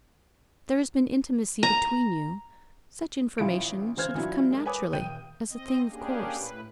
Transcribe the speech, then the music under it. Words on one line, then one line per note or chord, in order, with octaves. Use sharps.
If there has been intimacy between you, such information should have come naturally,--as a thing of course.
A#5
A1 E3 E4 F4 D7
C#3 E3 C5 F6 G#6
E3 F#3 D4 E4 F4
G#3 A#4
B4 C#5 G#5 D6 D#6
D#1 G5 G6 D#7
C4 D#5
A#3 C#4 D4 G4 G#4
A2 B4